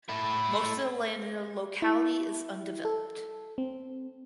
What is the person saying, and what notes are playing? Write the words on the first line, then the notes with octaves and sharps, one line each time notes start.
Most of the land in the locality is undeveloped.
A3 E4
E4
A4
C4